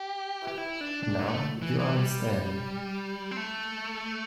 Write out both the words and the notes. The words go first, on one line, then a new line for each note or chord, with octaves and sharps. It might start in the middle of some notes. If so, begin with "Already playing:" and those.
Now, you understand.
Already playing: G4
G4
E4
D4
D4
G3
A3
E3
E3
G3
C4
A3